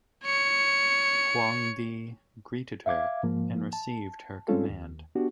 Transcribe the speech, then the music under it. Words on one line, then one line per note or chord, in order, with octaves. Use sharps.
Huangdi greeted her and received her command.
C#5 C#7
E5 F5 D6 G#6
G#2 F3 A#3
A5
G3 G#3 C4 C#4 F4 A4
D#2
B3 D4 F#4 G4